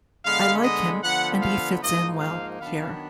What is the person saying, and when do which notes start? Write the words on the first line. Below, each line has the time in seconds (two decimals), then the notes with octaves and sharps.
I like him and he fits in well here.
0.25 D3 G#3 B3 F5
0.64 D#5
1.03 D3 F3 B3 F#5
1.42 F5
1.81 G#2 F3 A#3 D#4 D#5
2.20 F5
2.60 D#3 F#3 B3 D4 F5